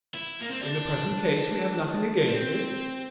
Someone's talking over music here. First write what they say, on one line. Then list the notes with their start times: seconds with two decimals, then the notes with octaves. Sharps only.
"In the present case we have nothing against it."
0.14 E4
0.41 A#3
0.51 C4
0.61 D4
2.27 C4